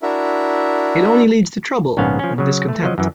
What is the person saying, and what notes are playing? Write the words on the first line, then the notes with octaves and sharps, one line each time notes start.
It only leads to trouble and discontent.
D4 E4 F#4 A#4 E5
A#1 G#2 C#3 B3 C#4 F5
F3 C#4
C#3 F#3
A3
F3 F#3 D#5
F#2 E3